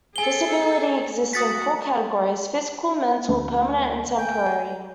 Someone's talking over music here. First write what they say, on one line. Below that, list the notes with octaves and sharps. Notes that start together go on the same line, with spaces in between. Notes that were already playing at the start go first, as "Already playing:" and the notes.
Disability exists in four categories: physical, mental, permanent and temporary.
G#4 A4 G#5 G7
F#4 F#5 D#6 A6 B6
D2
G5 G#5